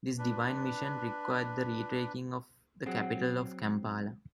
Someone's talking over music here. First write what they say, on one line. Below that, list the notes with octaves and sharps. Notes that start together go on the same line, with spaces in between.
This divine mission required the retaking of the capital of Kampala.
D4 B4
F#3 C4 G#4 F#5